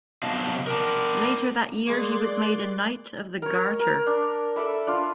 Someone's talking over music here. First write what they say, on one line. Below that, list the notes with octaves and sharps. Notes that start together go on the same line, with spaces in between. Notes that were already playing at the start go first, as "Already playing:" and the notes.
Later that year he was made a Knight of the Garter.
C3 F#3 B3 D#5 F5 A5
D4 A#4
G#3 A#3 D5 C6 C#6 F#6
A#4 C#5
A#4
D4
A4 D5 E5 B5
D4 F4